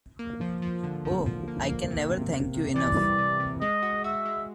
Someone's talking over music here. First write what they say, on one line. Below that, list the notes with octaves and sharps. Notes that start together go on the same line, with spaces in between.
Oh, I can never thank you enough.
A#3
F3
F3
D3
F3
F3
A#3
A#3
C3
C3
C3
C3
E3 D5
G3
C3
C3
G#3 D#5
F#4
F#4 E5
G#3